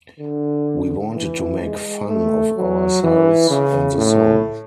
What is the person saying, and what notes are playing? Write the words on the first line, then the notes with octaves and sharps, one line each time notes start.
We wanted to make fun of ourselves and the song.
D3
E3
G#3
A3
F#3
E3
C#3
A2